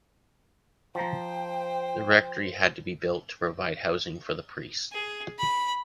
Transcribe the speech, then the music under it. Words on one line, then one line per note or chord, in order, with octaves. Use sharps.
The rectory had to be built to provide housing for the priest.
F3 C5 G5 A#5
G#4
B5